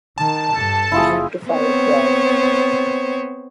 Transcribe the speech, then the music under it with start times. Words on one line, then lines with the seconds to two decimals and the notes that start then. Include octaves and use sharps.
We had to fire Brad.
0.18 D#3 A5
0.55 G2 A4
0.92 F#1 E4 F4 G#4
1.50 B3 C4 C5 C#5